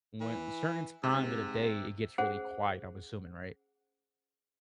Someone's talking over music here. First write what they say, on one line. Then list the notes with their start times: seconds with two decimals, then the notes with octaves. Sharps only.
when certain times of the day it gets really quiet, I'm assuming, right?
0.20 E3
1.03 G#2 C3
2.18 C#4 G#4 C5 F#5